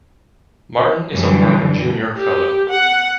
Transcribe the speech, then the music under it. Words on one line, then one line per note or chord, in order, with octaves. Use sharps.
Martin is a Harvard junior fellow.
F#2 D3 E3 G3
G4
F#5